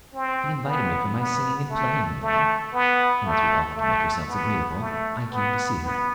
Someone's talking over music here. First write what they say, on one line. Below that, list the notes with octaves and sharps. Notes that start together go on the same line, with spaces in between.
She invited me for my singing and playing, you know: and as we all have to make ourselves agreeable, I came to see her.
C4
B3
B3
A3
A3
B3
A3
A3
B3
A3
B3
B3